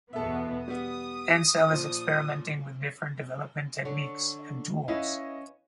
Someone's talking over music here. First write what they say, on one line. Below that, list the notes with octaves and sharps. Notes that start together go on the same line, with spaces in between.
Ancel is experimenting with different development techniques and tools.
E2 B2 B3 A4 E5
G3 B3 D#6
A#2 F3
D3 D4 C#5
C#4 E4 B4 D#5 F5